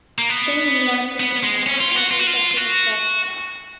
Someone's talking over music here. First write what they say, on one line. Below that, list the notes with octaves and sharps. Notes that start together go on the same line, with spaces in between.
Spain relapsed into former patterns after his death.
A#3
B3
B3
G#3
C#4
F4
F4
F#4
F4
F#4
F4
F4
F#4